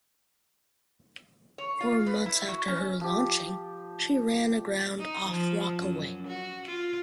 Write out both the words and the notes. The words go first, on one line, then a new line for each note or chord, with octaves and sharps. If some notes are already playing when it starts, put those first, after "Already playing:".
Four months after her launching, she ran aground off Rockaway.
C#5
F4
B4
E4
F#4
C#4
F3 G4
D#4
F3
F#2
F#4
F4